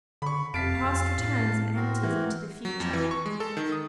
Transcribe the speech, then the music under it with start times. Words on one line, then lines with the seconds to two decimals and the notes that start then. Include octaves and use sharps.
The past returns and enters into the future.
0.22 D3 B5 C#6
0.54 F2 C3 F5 A5 B6 D7
0.84 F2
1.19 A2
1.76 C4 F#4 A#4
2.03 E3
2.65 F#3
2.80 F2
2.93 E3
3.11 C#6
3.26 G#3
3.40 A4
3.57 D#3
3.72 D#6